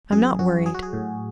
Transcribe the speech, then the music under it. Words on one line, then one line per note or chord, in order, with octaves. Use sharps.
"I'm not worried."
F#2 G#4
F#2 F#4
F#3 G#4
F#4
G#4
A2